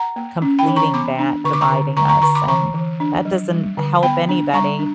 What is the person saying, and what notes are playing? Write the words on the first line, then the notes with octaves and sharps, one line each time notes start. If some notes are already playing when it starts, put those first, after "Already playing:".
completing that dividing us, and that doesn't help anybody.
Already playing: F#5 A#5
A#3
C#4
G5 B5
E3
A#5 C#6
B3 B5 D6
D4
D3 C#6
D6
A#5 C#6
D3
D3 A#5 C#6
A#5 C#6
D3 A#5 C#6
B5 D6
E3 A#5 C#6
E3
D4
F#3
G3
D3
B3 G5 B5
D4
G3 A#5 C#6
D4